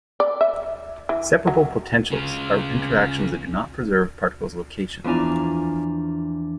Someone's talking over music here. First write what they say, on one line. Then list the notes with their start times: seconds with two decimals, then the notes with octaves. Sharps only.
Separable potentials are interactions that do not preserve a particle's location.
0.20 D5
0.41 E5
1.09 E3
1.47 F#3
2.11 C#3 F4
5.04 E2 F3 D4 G#5 A#5